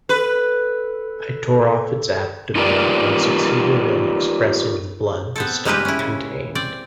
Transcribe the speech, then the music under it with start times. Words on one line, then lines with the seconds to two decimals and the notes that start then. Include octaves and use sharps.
I tore off its abdomen and succeeded in expressing the blood the stomach contained.
0.09 A4 B4
2.56 D#4 F4 G4 A#4 B4 D5
5.36 B3 C4 A4
5.65 G3 G#3 A#3 D#4 G4 B4
5.85 C#4 E4
5.99 C#3
6.55 C4 D5